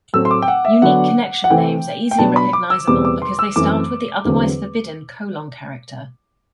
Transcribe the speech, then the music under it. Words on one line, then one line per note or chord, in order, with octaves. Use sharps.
Unique connection names are easily recognizable because they start with the-otherwise forbidden-colon character.
A2 F#3 A3 C4 E6
C6
D6
G5
F#5
E5
D3 F#3 B3 D4 F#5
F#5
C3 E3 A3 C4 G5
G5
B2 F#3 B3 D4 A5
B5
D6
E6
E2 B2 G3 C4 D6
D6
C6
E6
F#2 E3 A3 C4 D6
E2 D3 F#3 C4